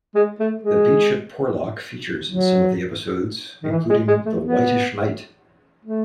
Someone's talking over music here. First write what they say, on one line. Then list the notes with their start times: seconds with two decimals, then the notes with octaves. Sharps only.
The beach at Porlock features in some of the episodes including The Whitish Knight.
0.15 G#3
0.39 A3
0.63 G#3
2.29 F#3
3.63 D#3
3.71 E3
3.89 G#3
4.08 G#3
4.26 A3
4.43 B3
5.85 A3